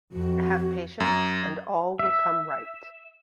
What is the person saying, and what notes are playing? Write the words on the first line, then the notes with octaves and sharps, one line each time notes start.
Have patience and all will come right.
F2 F#4
F#2
E5